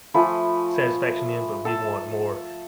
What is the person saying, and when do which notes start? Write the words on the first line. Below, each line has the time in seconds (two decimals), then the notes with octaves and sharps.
satisfaction in, but we want more
0.14 F3 A3 G#5 B5
1.65 A4